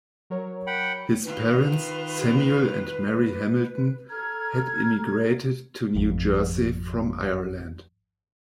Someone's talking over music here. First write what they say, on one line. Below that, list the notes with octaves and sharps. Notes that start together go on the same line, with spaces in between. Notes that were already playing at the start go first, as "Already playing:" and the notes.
His parents, Samuel and Mary Hamilton, had immigrated to New Jersey from Ireland.
F#3 A#4 C#5
F#5 G5 B5
D#3 F4 B4
A4 A#5 F6 G#6
G#1 F2